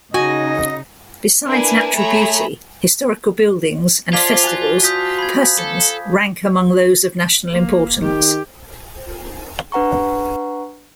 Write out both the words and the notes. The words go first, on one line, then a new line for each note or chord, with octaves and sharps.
Besides natural beauty, historical buildings and festivals persons rank among those of national importance.
C#3 D#4 F#4 D#5 G#5
D4 E4 A#4 B4 G#5
A3 G#4 C#5 A#5 B5
F3 F4 D5 G#6 B6 F7
F#4 G#5 A5 F#6
D#6 G6 B6
B5 G#6
A4
A#3
D#3 G4
D4 B4 F#5 A#5 C#6